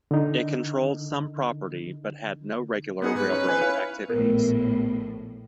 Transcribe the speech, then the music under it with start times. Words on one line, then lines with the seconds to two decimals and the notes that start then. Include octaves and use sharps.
It controlled some property, but had no regular railroad activities.
0.11 D3 D#4
3.02 B3 D#4 G#4 F#5
3.15 G#2 B4
3.30 C#4 D#4 C#5
3.49 G#5
3.61 E4 C#5 F5
4.09 A#1 A2 B3 A#4